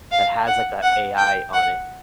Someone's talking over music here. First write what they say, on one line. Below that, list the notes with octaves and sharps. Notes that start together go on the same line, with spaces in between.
that has, like, a AI on it
F5
F#5
F#5
G5
F#5